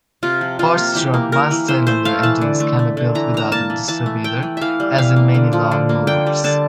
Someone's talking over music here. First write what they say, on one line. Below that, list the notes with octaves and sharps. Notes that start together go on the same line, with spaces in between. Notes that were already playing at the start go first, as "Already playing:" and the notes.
Four-stroke one-cylinder engines can be built without a distributor, as in many lawn mowers.
C3 F4
F3
C3 F4
A#3
E3 G4
A#3
A#3 A#4
E3
E3 C5
A3 C5
A3 F5
E3 A5
D3
A3
A3
D3
E3 A#5
A#3 A#5
A#3 A5
E3
E3 A5
A3
A3 G5
E3
E3 E5 F5
G3
E3 F5
A#3
D3
F3
D3
A#3
D3 G5
G3
D3 A5